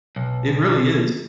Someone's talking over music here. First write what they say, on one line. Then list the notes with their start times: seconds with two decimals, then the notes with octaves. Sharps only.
It really is.
0.16 B1